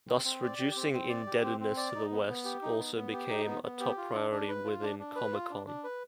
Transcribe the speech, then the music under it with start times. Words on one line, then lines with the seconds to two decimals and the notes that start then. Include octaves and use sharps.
Thus, reducing indebtedness to the West also became a top priority within Comecon.
0.09 C4
0.25 C4
0.43 D5
0.59 G4
0.76 C4
0.93 C4
1.09 D5
1.27 G4
1.43 C4
1.60 C4
1.77 D5
1.95 D#4
2.11 B3
2.28 B3
2.45 G4
2.62 D#4
2.79 B3
2.96 B3
3.13 G4
3.29 D#4
3.46 B3
3.63 B3
3.80 G4
3.97 F4
4.14 D4
4.31 D4
4.48 B4
4.65 F4
4.82 D4
4.99 D4
5.16 B4
5.32 F4
5.50 D4
5.67 D4
5.84 B4